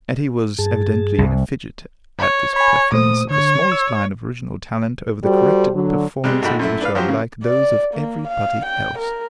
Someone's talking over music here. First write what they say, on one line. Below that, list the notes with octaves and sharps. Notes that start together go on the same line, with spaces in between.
Etty was evidently in a fidget at this preference of the smallest line of original talent over the corrected performances which are like those of every body else.
G2 G#4 A5
C2
C#5
C#5 G#5 B5
A#2 A3 C5 D#6
D3 C#5
E6
G3 F#4 G4 A4 C5
D3 F#3
C3 G3 G#3 F#6
G#1 G#2 A3 F#4 G5 B5
F#2 A3 E4
D4 B4 F5
F3 F#3 G4 C5
C#3 A#3
D5
A#3
F5
G5
A#4